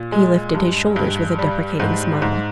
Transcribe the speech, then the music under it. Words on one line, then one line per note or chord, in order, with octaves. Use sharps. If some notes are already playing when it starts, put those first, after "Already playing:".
He lifted his shoulders with a deprecating smile.
Already playing: A#2
G#3
G2
G2
G3
G#2
G#2